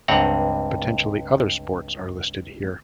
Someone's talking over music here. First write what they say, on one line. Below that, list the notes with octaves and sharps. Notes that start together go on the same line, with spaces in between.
Potentially other sports are listed here.
C#2 G2 C4 F#5 A#5